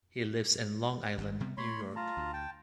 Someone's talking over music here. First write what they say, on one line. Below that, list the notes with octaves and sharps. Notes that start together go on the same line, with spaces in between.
He lives in Long Island, New York.
G#1 G2
C3 G3 B3
A3 C#5 B5 C6
F4 A5 A#5
D2
G5 A5